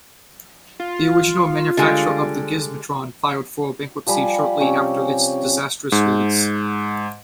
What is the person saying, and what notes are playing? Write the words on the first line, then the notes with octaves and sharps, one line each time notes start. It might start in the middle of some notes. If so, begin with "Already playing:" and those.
The original manufacturer of the Gizmotron filed for bankruptcy shortly after its disastrous release.
F4
D3 G3 G#3
F3 G3 G#5 B5
C3 C#4 C#6
G#2